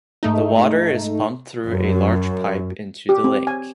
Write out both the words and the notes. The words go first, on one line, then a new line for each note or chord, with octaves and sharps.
The water is pumped through a large pipe into the lake.
G#2 A3 D#4
F#2
G4
C4
G#5